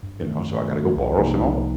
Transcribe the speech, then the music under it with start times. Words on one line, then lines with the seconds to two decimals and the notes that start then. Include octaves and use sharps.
you know? So, I got to go borrow some more
0.03 G2
0.25 D#3 A3
0.48 G2
0.72 D#3 A3
0.95 C2
1.18 C3 F3 A#3 D#4
1.41 C2